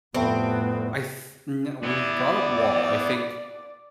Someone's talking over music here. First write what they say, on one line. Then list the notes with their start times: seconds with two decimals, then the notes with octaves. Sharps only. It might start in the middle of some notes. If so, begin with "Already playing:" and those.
I th kno when you brought up wall, I think
0.14 F2 A2 G3 A3 B3 C4
1.83 B3 E4 D5